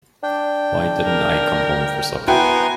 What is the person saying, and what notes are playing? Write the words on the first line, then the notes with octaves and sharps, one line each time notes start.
Why didn't I come home for supper?
D4 G5
A#4
B3 E4 F#4 G5 G#5 A#5 C6